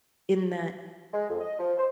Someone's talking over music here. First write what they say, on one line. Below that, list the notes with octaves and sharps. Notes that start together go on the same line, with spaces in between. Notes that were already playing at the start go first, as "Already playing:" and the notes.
in that,
G#3
F2
D#5
F3
C5